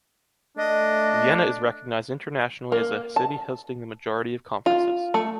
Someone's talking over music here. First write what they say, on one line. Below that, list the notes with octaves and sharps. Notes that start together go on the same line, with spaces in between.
Vienna is recognized internationally as a city hosting the majority of conferences.
A3 D4 D#5
A#3
A5
F4
A3